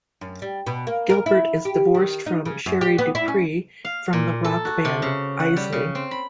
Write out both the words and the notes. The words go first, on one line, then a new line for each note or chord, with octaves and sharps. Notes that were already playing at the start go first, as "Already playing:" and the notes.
Gilbert is divorced from Sherri DuPree from the rock band Eisley.
F#2
G3
B2
A#3
A#4
E4
G4
D#3
D#4
C#3
F#2
G4
B3
E4
C#4
F5
A#2
A4
F#4
C3
C#3
F#5
G3
C#3
C4
B5